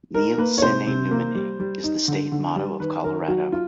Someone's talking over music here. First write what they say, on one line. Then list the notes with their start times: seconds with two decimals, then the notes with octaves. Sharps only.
"Nil sine numine" is the state motto of Colorado.
0.14 D#4 A#4
0.38 A#3 B4
0.58 C#5
0.62 C3 C5
0.87 C3
1.11 A#3
1.35 G3
1.60 G3
1.84 D#4
2.08 D3
2.32 D3
2.56 G3
2.80 D#3 B4
3.04 D#3 A#4
3.28 F#3 F#4
3.52 F4